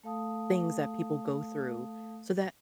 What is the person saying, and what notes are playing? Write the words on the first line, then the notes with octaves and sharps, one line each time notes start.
things that people go through so that
A3 A4 F5 A5 D#6